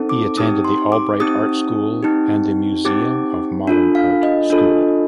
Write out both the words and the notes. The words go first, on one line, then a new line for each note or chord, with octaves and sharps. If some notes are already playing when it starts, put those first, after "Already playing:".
He attended the Albright Art School and the Museum of Modern Art School.
Already playing: C4 D#4 A4
D6
C4 D#4 G4 D#6
C6
D6
C4 D#4 G4 D#6
C4 D#4 G4
C4 D#4 G4 D6
D4 F4 A4
F5
D#5
D4 F4 A4